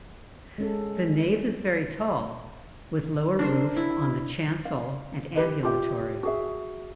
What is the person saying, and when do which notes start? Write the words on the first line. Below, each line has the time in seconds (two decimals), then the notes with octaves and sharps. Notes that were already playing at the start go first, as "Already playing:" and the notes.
The nave is very tall with lower roofs on the chancel and ambulatory.
0.58 G#3 C#4 A4
3.39 D4 A#4 C5
3.76 E4
4.65 F5
5.35 G4 B4 D#5
5.63 F4 G4 E5
6.23 F#4 G#4 E5